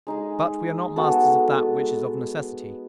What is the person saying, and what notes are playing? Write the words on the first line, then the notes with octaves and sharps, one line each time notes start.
But we are not masters of that which is of necessity.
G#3 D#4 G#4
G#3 B3 F#4 A4